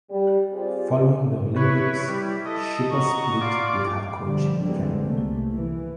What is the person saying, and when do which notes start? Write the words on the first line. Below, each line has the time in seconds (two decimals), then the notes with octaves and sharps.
Following the Olympics, Schipper split with her coach Ken Wood.
0.10 G3
0.53 C4 F4 G4 G#4 C5 D5
1.56 E4 B4 C#5
2.08 G3 E4
2.46 A4 D#5
2.91 F#4 A#5 C#6
3.41 F4 D5 F5 D6
4.22 B2 D3 F3 G3
4.61 D3 E3 G3 G#3 A#3 C4
5.04 C2 C3 A3 A#3
5.54 E3